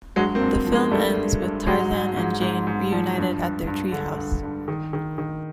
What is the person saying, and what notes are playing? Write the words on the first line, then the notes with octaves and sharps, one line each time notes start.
The film ends with Tarzan and Jane reunited at their tree house.
G2 F#3 G#3
A#3 C4
G2
F3
G#3 A#3
G2 G3 A3
G2
G2
G#2 F#3 G#3
G#2
G#2
G#2
G#2
F3
G2
G2
G2
D3
G2
G2
D#3
D#3
D#3